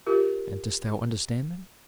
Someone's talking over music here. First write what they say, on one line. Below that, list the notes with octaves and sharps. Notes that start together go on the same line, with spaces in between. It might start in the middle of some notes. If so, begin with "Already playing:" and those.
"And dost thou understand them?"
F4 G4 A#4